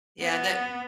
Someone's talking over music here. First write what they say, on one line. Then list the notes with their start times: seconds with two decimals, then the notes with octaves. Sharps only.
Yeah, and that
0.22 B3